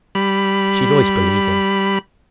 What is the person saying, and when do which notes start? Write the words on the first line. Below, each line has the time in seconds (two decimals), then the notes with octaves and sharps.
She'd always believe him.
0.15 G3 B5